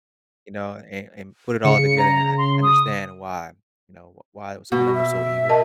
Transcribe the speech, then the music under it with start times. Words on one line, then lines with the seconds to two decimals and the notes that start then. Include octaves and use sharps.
you know, and and put it all together and and understand why you know, w why some of them are so evil,
1.64 C#3 C#7
1.98 A#5
2.38 C6
2.63 D#6
4.72 B2 F#4
4.94 E5
5.49 A#4 D#5 A5